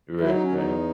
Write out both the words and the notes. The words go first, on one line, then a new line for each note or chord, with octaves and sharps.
Right, right.
F#3 E4
D#4
C#4
E2 D#4